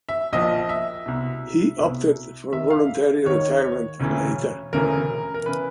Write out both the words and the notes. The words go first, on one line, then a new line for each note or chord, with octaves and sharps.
He opted for voluntary retirement later.
E5
A#1 A#2 F3 D#5
E5
C2 B2
C2 B2
D#2 D#3 E5
F5
D#2 D#3 C#5
E1 D2 C#3 E3
E1 D2 C#3 E3 A#4
A#4
C#3 E3 B4